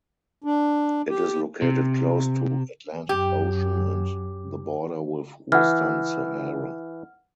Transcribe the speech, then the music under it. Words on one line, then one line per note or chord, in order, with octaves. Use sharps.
It is located close to Atlantic Ocean and the border with Western Sahara.
D4
G4
C3
F#2 G4
E3 F#5 F6